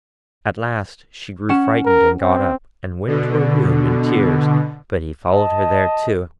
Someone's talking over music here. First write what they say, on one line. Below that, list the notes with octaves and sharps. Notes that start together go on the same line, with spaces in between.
At last she grew frightened, got up, and went to her room in tears, but he followed her there too.
C#4 F#5 E7
A#4
C4
B2 D3
D#5 A5